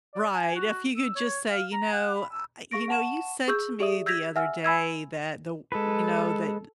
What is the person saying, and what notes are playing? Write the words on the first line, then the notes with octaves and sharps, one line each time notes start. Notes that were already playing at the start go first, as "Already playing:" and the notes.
Right, if you could just say, you know, I you know, you said to me the other day that the w you know, that
D5
G#5
F#4
E6
C#5
F5
A#5
F#5
B5
E6
G#4 F5 C#6 A#6 D7
F5 F#5 A5 C#6 E7
G#4 C#6 E6 G6
G4 G#4 D5 E5 D#6
E6 G6 G#6 A#6 B6 F7
E5 F#5 G#5 E6 F6
G#5 B5 E6 G#6
G#3 A4 B4